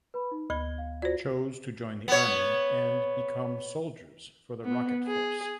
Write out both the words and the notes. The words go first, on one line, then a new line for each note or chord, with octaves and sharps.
Chose to join the army and become soldiers for the rocket force.
B4 B5
D#4
D2 B5 G#6 G7
F5
F4 F#4 C5 D5 G#6
B3 C#5
B3
G#4